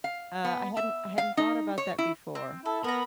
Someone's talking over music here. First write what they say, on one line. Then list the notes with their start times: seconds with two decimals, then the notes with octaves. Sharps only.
Uh, I hadn't I hadn't thought about that before.
0.04 F5
0.45 B3
0.77 E5
1.18 F5
1.37 D#4
1.78 C#5
1.98 E4
2.35 C4
2.65 E4 A4
2.84 B3 A#4 A#5 B5